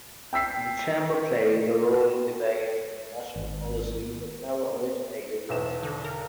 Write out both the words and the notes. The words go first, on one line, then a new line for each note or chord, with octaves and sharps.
The Chamber played a role in debate on national policy but never originated legislation.
G5 E6 B6 C7
G#1
B1 E2 E7
D3
A#4